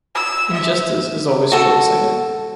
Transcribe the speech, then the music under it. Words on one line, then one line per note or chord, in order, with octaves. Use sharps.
Injustice is always short-sighted.
E6
E5
F#4 A4